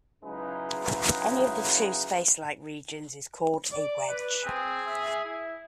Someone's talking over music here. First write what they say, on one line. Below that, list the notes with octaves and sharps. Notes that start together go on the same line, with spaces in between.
Any of the two spacelike regions is called a wedge.
C#3 F#3 G#3 D#4 E4 B4
D5
B4
C4 G#4
E5
E4